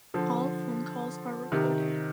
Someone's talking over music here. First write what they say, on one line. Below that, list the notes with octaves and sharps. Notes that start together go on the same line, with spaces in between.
All phone calls are recorded.
D3 F3
C3 D#3